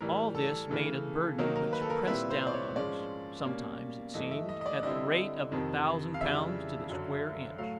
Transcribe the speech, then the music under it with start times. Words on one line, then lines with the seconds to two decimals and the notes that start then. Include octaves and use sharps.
All this made a burden which pressed down on us, sometimes, it seemed, at the rate of a thousand pounds to the square inch.
0.01 A2 E3 G3 A#4
0.35 A4
0.69 C#3 E3 A3
1.38 D#3 F#3 A#3 D#4 A#4
1.56 A#4
1.73 B4
1.82 A4
1.90 A#4
2.07 A#2 G3 C4 E4 B4
2.30 C5
2.47 D5
2.53 C#5
2.76 G#2 F3 G#3 C#4 D5
3.45 B2 G3 A#3 C#4
4.14 G2 E3 A3 D#5
4.31 E5
4.49 D#5
4.61 D#5
4.66 D5
4.83 D3 G3 C4 E4 D#5
5.52 F2 C3 D#3
6.14 F5
6.21 F2 C#3 E3 G3 E5
6.89 F#2 D3 F#3
7.58 A2 F#3 A3 F5